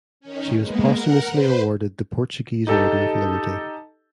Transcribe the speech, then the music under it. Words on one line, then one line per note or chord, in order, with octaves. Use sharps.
She was posthumously awarded the Portuguese Order of Liberty.
D#3 C#4
G#3 A#3 B3
A#4 F#5
B4 C5
D#4 G4 A4 D#5 A5